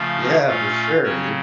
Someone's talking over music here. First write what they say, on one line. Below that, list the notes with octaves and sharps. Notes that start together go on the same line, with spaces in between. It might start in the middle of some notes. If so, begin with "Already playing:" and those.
Yeah, for sure, dude.
Already playing: C#3 F3 A3 C#4 F4 F5
A#2 A3 C#4 F4 F5
C#3 F#3 C4 C#4 C#5